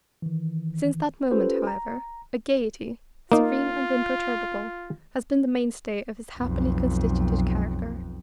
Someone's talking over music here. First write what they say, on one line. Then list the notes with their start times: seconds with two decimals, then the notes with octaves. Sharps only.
Since that moment, however, a gaiety, serene and imperturbable, has been the mainstay of his happily constituted character.
0.22 D#3 E3
1.31 C#4 F4 G4 A4 B4 C5
1.67 A#5
3.32 A#3 D#4 F4
6.38 B1 F2